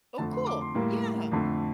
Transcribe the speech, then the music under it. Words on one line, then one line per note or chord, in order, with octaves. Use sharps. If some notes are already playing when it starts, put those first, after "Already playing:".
Oh, cool, yeah.
F2 D3 A3 A5
C6
D6
C6
A2 G3 A#3
F2 D3 A3